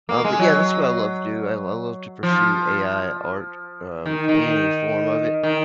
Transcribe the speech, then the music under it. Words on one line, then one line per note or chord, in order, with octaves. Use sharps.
Um, but, yeah, that's what I love to do. I I love to pursue AI art, um, any form of it.
A#3
G#3
F#3
F3
D#3
D#3
D#3